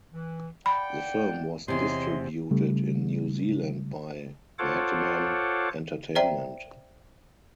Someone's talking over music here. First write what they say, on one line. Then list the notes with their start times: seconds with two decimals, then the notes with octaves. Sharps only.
The film was distributed in New Zealand by Madmen Entertainment.
0.12 E3
0.66 D5 F#5 G5 B5
1.68 E2 C3 C#5 D#5 C6
2.51 C#3 G3 A3
4.59 F4 A4 C5 C#5 F#5 D6
6.15 C5 D5 E5 G5 A#5